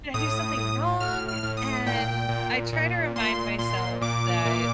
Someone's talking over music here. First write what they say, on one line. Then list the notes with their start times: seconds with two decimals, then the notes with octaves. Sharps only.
did I do something wrong?" And I try to remind myself that
0.14 A2 D#6
0.57 A2
1.00 A2 F6
1.28 F6
1.43 A2
1.57 D#6
1.86 A#2 G5
2.29 A#2
2.72 A#2
3.16 A#2 C6
3.58 A#2 C6
4.01 A#2 D6
4.45 A#2